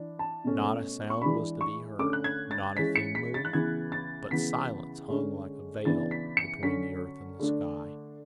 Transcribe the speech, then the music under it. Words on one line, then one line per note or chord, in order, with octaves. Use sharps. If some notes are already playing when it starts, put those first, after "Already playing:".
Not a sound was to be heard, not a thing moved, but silence hung like a veil between the earth and the sky.
Already playing: E3 D4
A5
B2 A3 C#4
C#6
E3 G#3 D4 B5
C#6
D3 A3 C#4 D6
F#6
G#6
A6
E3 G#3 C#4 B6
C#7
B6
A6
F#6
C#3 E3 B3 G#6
A6
C#3 E3 B3 B6
D3 G#3 C#4
C#3 E3 B3 D4 A6
B6
C#7
D3 F#3 C#4 B6
D3 A3 D4